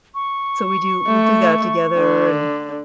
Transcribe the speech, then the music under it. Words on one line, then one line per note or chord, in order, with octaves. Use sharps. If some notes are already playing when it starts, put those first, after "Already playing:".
so we do we'll do that together, and
C#6
A3
D3